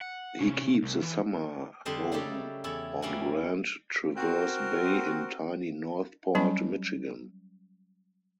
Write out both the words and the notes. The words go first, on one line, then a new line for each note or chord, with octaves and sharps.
He keeps a summer home on Grand Traverse Bay in tiny Northport, Michigan.
F#5
C3 C#4
C2
E3
F2 D3 G3 D4 C5 D#5
C#3 F#3 G3 A3 G4 A4
E2 E4 A4 C#5
G3 A#3 C#4 E4 F#4
C4 F#4 A#4
F#3 G3 C#4 G#5 B5